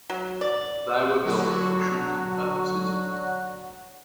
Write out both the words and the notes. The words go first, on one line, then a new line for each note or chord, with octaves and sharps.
They were built for shunting purposes.
F#3
D5
D3 F#3 F#4